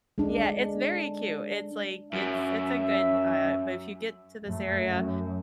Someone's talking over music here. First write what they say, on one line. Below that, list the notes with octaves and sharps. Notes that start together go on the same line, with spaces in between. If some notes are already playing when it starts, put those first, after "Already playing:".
Yeah, it's very cute. It's, like it's it's a good, uh but if you get to this area,
G#3 D4
F#2 E5
F#2 A3
F#2